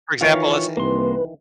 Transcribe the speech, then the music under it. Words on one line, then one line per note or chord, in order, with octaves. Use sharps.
For example, is eh
D#3 E3 F4 C#5 F5
C2 A#3 B4 C6